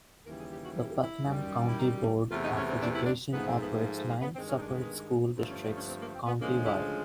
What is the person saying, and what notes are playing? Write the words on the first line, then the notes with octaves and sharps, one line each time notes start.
The Putnam County Board of Education operates nine separate school districts county-wide.
D#2 C#3 E3 G3 A#4
G#4
G4
F#4
E4
E4
F#2 D#3 G3
E4
D#4
E2 C3 E3 A3 F4
D#4
C#4
C4
D4
E4
D4
G#2 F3 A3 B3
C4
B3
A#3
A3
A#3
B3
G2 D#3 G#3 C4
C#4
D#4
D4
A#3
B3
G2 D3 F3 A3 C4
C#4
D4
C#4
C4
A#3
C4
B3
D2 C#3 F3 G#3 A#3
E4